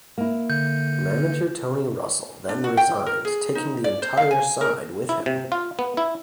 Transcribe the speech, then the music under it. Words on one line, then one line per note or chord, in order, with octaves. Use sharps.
Manager Tony Russell then resigned taking the entire side with him.
A#3 E4
D3 G6
D4
F#4
G5
A#4
G#4
D#4
D5
C5
F5
G#5
A#4
E4
C3
F4
B3
E4